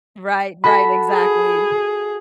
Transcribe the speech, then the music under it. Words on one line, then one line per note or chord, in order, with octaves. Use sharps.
Right, right, exactly.
F#4 A4 B5 B6
G#4